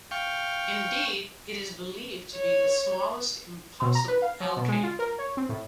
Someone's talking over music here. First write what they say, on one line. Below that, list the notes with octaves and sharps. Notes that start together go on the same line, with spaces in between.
Indeed, it is believed to be the smallest "impossible" alkane.
F5 G5 C#6
C#5
B2
A#5
B4
F5
F#3
B2
G#3
F4
A#4
C#5
C4
A2